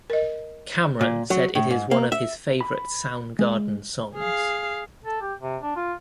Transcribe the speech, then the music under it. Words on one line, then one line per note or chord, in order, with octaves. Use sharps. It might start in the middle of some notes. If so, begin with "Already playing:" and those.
Cameron said it is one of his favorite Soundgarden songs.
A#4 D#5
A#2
F#3
A2
G#2
A#3
E5
B5
G#3
G#4 F5
A4
G4
C3
D4
F4